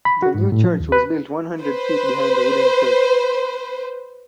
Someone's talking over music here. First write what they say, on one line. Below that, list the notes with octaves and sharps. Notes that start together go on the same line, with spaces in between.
The new church was built one hundred feet behind the wooden church.
B5
F#4
G#2
A2
F3
D#2
B4
B4 C5